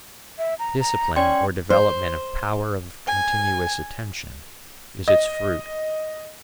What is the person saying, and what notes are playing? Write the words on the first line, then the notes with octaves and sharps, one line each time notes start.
Discipline or development of power of continuous attention is its fruit.
E5
A#5
A#5
C#4 D5 G5 C6
C5
G#5
D#5